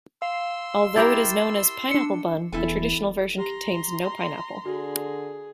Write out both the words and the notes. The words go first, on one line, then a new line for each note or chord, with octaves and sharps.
Although it is known as "pineapple bun", the traditional version contains no pineapple.
F5 C6 E6
E4 G4 A#4 A6
D4 C#7
E1 E2 E4 A4 G#5
G4 A#5 C6
D3 F#4 G#4